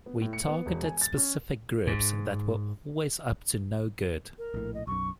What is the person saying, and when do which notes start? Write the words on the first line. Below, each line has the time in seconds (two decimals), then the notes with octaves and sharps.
We targeted specific groups that were always up to no good.
0.06 B3
0.22 A2
0.33 C#7
0.48 B3
0.66 E1
0.83 G#5
1.01 A6
1.17 C#4
1.87 G#2
4.38 A#4
4.54 A#1 A2
4.74 D#5
4.87 B1 F#2 C#6